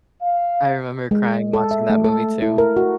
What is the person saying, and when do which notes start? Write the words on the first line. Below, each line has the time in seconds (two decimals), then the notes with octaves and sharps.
I remember crying watching that movie too.
0.21 F5
1.11 G#3
1.53 A4
1.71 E5
1.90 A3
2.04 A4
2.42 E4
2.58 A#4
2.77 F#4